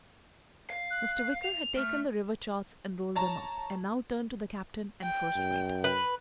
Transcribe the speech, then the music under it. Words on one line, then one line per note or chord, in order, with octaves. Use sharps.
Mr. Wicker had taken the river charts and rolled them up, and now turned to the Captain and first mate.
F5
F#6
F7
A3 F6
C#5 A5 A#5
G5
F#2
B4